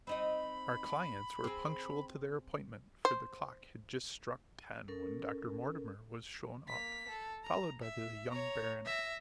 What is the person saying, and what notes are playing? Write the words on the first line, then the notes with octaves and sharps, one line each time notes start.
Our clients were punctual to their appointment, for the clock had just struck ten when Dr. Mortimer was shown up, followed by the young baronet.
C4 D#4 D#5 B5
C4 G#4
C5
C#4 A4 A#4
A#3 B6
A4
A#5
E5
C#5 A#5
E5 A#6